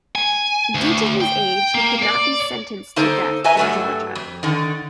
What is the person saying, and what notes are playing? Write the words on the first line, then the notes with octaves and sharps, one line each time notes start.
Due to his age, he could not be sentenced to death in Georgia.
G#5
D2
G5
A#3
D5
D3 A#3 D#4 A4 C5
B4 D#5 E5 G#5 A#5
G2 C#3 F#3 A3 A4
F2
D3 D#3